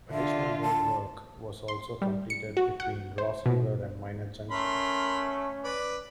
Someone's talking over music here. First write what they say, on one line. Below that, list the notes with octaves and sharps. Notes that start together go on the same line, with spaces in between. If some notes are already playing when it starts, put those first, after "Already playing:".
Additional road work was also completed between Ross River and Miner Junction.
D3 F4 E5
A5
C6
G3
C#7
F#4
F#5
C5
B2
A3 C#4 A#4 B5 C6
B4 D5